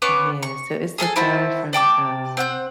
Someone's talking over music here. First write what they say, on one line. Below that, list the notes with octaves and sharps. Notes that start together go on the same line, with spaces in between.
Yeah, so it's the guy from, um,
B3 C#4 C#6 D6
C#6
G#4 A4 E5 G#5
C4 E4 F#4 A5
D5 G5 A5 D6
C4 F#5 G6